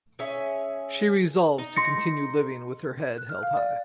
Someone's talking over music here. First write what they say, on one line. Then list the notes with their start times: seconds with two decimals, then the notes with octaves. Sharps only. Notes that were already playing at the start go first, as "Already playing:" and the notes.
She resolves to continue living with her head held high.
0.19 C#4 G#4 E5
1.58 D#4
1.77 C6 A#6 C#7
3.18 F#6
3.29 F6
3.43 F5
3.57 D5